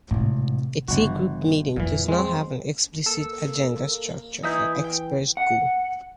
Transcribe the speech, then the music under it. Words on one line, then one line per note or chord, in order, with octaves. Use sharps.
A T-group meeting does not have an explicit agenda, structure, or express goal.
G#1 A2 C3
G1 C#3 E3 F#4
F2 A#2 E3 F#3
G#3 C4
A#3 A4 E6
E3 D#4 E4 G6
G5
F#5